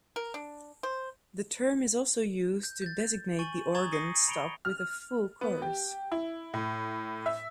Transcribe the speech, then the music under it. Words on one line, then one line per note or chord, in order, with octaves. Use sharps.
The term is also used to designate the organ stop with a full chorus.
A#4
D4
C5
G6
G6 A6
G#5 C#6 A6 D#7 F#7
A#5 C#6 D#6 G#6 A6 F#7
C#6 D#6 A#6 C7 C#7 D#7
A#5 B5 C#7 D7 F7 G7
F6
B3
G4
E4
A2
E5